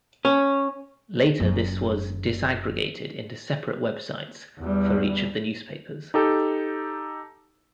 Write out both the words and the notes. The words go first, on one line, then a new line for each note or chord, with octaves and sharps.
Later this was disaggregated into separate websites for each of the newspapers.
C#4
F#1 F#2
E2 G3
D#4 G4 A4